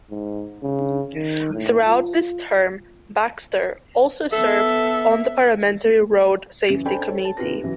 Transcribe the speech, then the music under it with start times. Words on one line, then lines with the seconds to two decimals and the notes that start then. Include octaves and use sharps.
Throughout this term, Baxter also served on the parliamentary Road Safety Committee.
0.10 G#2
0.62 C#3
1.15 D#3
1.53 A2
1.87 F4
4.32 B3 A4 E5
6.69 F#2 C#3 E3
6.85 D4 A4 C5 G5 G#5 B5
7.08 A4 C#5
7.25 A5
7.37 D#2 C3 F4 G4 B4 A#6
7.63 C#3 E3 F#3